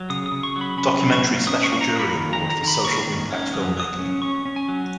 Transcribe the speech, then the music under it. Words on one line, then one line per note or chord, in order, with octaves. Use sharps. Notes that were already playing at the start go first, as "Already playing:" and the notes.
Documentary Special Jury Award for Social Impact Filmmaking.
Already playing: F#3
C#3 D#6
D#6
C#3
C#6
F#3
B5
C#4 B5
F#3
C#6
A#3
C#4 D#6
C#6
A#3
A#5
A#3
B5
D#3
A#5
D#3
A#5
D#3
B5
A#3 C#6
D#3
C#4
F#3 D#6
F#3 D#6
C#4
C#4 C#6
C#4
G#5
F#3